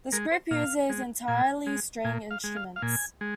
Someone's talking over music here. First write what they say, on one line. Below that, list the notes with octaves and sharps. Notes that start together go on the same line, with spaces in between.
This group uses entirely string instruments.
G#3 A#4
C5
A#2 F5
G#3
A#2 G#5
G#3
A#2 G#5
F5
G#3
F5
F5
A#2 G#5
G#3